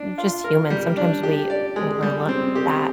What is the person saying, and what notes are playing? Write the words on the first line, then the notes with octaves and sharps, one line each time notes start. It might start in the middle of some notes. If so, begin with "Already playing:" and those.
just humans, sometimes we overlook that
Already playing: D4
F4
A#4
G3
D4
G4
D5
G#3
G3
C4
G4